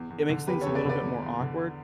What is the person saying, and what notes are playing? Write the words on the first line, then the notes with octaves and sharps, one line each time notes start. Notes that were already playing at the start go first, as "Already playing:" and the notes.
it makes things a little bit more awkward,
Already playing: E2
E2
D3
E2 G4 B4
A4 C#5
E2
B4 D5
D3 B4 D5
E2
E2
D3